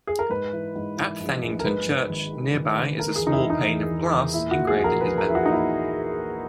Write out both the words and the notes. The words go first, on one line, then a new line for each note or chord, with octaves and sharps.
At Thanington Church nearby is a small pane of glass engraved in his memory.
G#4
A#4
G#2 B4
E3
G#2
E3
A#1
A#1
A#4
G#2 B4
G#2
G#1
D#3
G#1
D#3
D#3 A#4
G#4
E1
D#4
E4
E1
D#4
E2
E2
E1
A#2 E4
F#4
A#2
G#4
A#1
A#4
A#1 B4
A#4
A#1
E4
F#4
A#2 D#4
E4